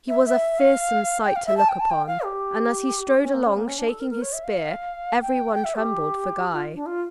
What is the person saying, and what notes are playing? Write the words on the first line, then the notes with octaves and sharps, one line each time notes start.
He was a fearsome sight to look upon, and as he strode along shaking his spear every one trembled for Guy.
E5
E5
F5
G5
F5
E5
A5
G5
A5
G5
F5
G4
C#4
A#3
C#4
A#3
C#4
D4
A4
A#4
A#4
C#5
E5
F5
G5
G5
E5
G4
F4
D4
F4